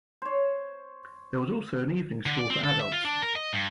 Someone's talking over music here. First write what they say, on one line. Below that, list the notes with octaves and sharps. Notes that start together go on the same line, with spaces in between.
There was also an evening school for adults.
C5 C#5
D3
D5
C4
A4
E5
F4
D4
A#4
D#5
G2